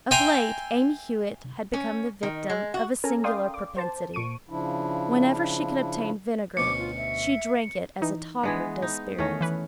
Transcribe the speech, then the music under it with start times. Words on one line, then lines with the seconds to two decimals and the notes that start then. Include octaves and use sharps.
Of late Amy Hewett had become the victim of a singular propensity; whenever she could obtain vinegar, she drank it as a toper does spirits.
0.11 E5 G5 G#5 A#5 C6
1.73 C#4
2.23 D#3
2.49 G#3
2.74 F#4
3.04 C#4 A4 A#4 G#5 A#5
3.24 D5 F5 G5 C6 D#6
3.54 D6
3.77 C5 A5
4.14 A#2 C#6 D7 D#7
4.49 C#3 F3 D4 E4
6.57 D2 B2 C#4 D6 C#7
6.79 F4
6.97 E5
8.01 E3 D#4
8.43 E3 G#3 B3 D4
8.82 D#4
9.18 E2 D#3 A3 C#4 D#5
9.41 E3 B4